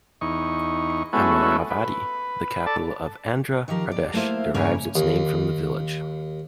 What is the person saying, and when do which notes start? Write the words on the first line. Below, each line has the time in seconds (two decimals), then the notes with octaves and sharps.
Amaravati, the capital of Andhra Pradesh derives its name from the village.
0.21 E2 D#4 C#6
1.13 G#3 A3 B3 C#4 E4 F#4
1.70 B4
2.66 A4 D5 A5
3.68 D#3 F3 G4 A#4
3.91 D5
4.14 A3 A#3 E4 C5 F5
4.54 G2 C#3 A#3 C#4 C#5 G#5
4.95 D#2